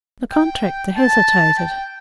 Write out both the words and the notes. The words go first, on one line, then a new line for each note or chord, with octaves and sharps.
The contractor hesitated.
G5
A5
G5